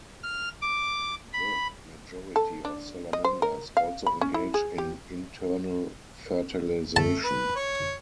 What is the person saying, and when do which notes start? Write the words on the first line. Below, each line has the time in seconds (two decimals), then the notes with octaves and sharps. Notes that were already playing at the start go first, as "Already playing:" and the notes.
The majority of salamanders also engage in internal fertilisation.
0.23 F6
0.62 D6
1.33 B5
2.36 A4
2.65 D4
3.13 D#5
3.24 C5
3.42 A#4
3.77 F5
4.06 B5
4.21 C#4
4.34 E4
4.54 G#4
4.78 G4
6.96 A3 A5
7.24 B4
7.56 C#5